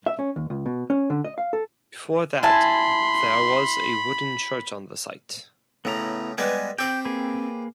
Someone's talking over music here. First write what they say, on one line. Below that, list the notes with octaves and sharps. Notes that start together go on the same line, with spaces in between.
Before that there was a wooden church on the site.
E5
C#4
D#2
C#2
B2
C#4
D3
D#5
F5
A4
E4 G#5 A5 B5 C6
A2 C#3 B3 E4 A#5
G3 G#3 B3 B4 G#5
C4 G4 C5 G5
A#3 G#4 B4